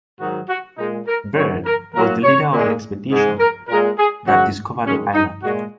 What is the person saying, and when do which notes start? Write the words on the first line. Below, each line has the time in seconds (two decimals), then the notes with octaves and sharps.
Byrd was the leader of the expedition that discovered the island.
0.19 G#2 D#3 F#3 F#4
0.49 F#4
0.78 A#2 G#3 D#4
1.07 A#4
1.35 F#2 F#3 C#5
1.65 A#4
1.94 A#2 F#3 A#4
2.23 C#5
2.52 A#2 G#3
3.11 G#2 G#3
3.39 A#4
3.68 A#2 G#3 A#4
3.98 G#4
4.26 F#2 C#3 F#3 F#4
4.84 F#2 D#3 G#3 C#4
5.14 D#4
5.43 A#2 G#3 F#4